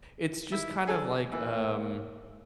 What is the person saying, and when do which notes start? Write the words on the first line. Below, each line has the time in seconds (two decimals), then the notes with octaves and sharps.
It's just kind of like, um
0.52 D#3 E4
0.87 D3 G#4 A4
1.32 E3 A#3